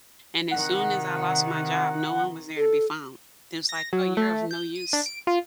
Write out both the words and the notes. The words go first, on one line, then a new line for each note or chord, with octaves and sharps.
And as soon as I lost my job, no one was there to be found, just like, "Oh, you're of no use.
C3 D#3 F#5
A4
A#6
F#3
A3
G6
D#7
D4
D7
F4